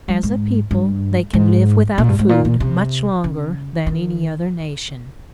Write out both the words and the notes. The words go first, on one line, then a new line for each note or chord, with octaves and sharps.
As a people, they can live without food much longer than any other nation.
G3
G#2
G2
G#2
A#2
G2
G#2
A#2
A#2
C3
C#3
D#3